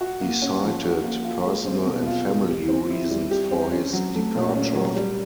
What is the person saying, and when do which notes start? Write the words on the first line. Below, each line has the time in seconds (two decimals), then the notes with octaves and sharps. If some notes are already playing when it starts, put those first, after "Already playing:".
He cited personal and family reasons for his departure.
0.01 F#4
0.21 A#3
0.42 C#4
0.63 F3
0.84 F#4
1.04 A#3
1.24 F4
1.45 G#3
1.66 C4
1.86 B2
2.07 F4
2.28 G#3
2.49 G4
2.69 C4
2.90 E4
3.11 G3
3.31 G4
3.51 C4
3.72 C#4
3.93 F#3
4.14 A3
4.35 A#2
4.55 C#4
4.75 F#3
4.96 G3